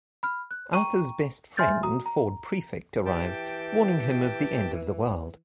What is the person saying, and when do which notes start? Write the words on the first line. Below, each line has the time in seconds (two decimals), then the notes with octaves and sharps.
Arthur's best friend, Ford Prefect, arrives, warning him of the end of the world.
0.23 B5 F6
0.51 F#6
0.73 G5 A#5 C#6 D#7
1.57 E5 G#5 C6 F6 G6 A6
1.83 F#4 A#5 D#6
2.06 A#5
3.05 E3 G4 G5 A5